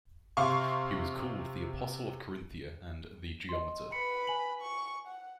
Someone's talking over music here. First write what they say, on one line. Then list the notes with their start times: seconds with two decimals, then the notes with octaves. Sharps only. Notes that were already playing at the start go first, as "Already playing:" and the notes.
He was called "the Apostle of Carinthia" and "the geometer".
0.37 C3 F5 C6 C#6
3.49 D#5 C6
3.92 B4 B5 C#7
4.27 G#5 F#7
4.62 C#6
5.08 F#5